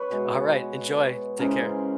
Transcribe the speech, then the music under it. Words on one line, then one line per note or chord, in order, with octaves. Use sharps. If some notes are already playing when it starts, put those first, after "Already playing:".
All right, enjoy. Take care.
Already playing: B4 C#5
B2 G#3
C#3 E3 G#3 A#4 C5